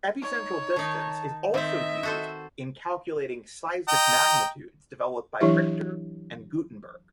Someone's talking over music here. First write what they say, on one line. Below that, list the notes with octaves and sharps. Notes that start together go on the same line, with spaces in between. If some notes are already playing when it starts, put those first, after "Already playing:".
Epicentral distance is also used in calculating seismic magnitudes developed by Richter and Gutenberg.
D#4 C#5
D#3 D#4 A5
D#3 C4 D#5 E5
F#4 A4 C5
D#5 G5 A#5
E3 F#3 D4 E4 G4 E5